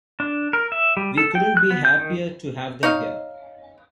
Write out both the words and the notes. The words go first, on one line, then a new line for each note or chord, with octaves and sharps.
We couldn't be happier to have them here.
D4
A#4
E5
G3
A4
G5
F#6
B3
G6
D#3
D#4 C#5 D#5 F5